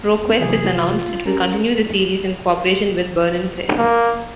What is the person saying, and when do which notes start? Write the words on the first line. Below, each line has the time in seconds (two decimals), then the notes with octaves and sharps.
ProQuest has announced it will continue the series, in co-operation with Bernan Press.
0.21 E2
0.39 C3 E3 F#3 G#4
0.74 F4
1.25 C#4 A#4
3.78 A#3